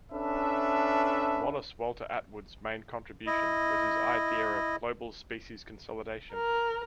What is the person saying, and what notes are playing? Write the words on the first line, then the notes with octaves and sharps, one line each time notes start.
Wallace Walter Atwood's main contribution was his idea of Global Species Consolidation.
C#4 D4 A4 B4 E5
E4 D#5
A#4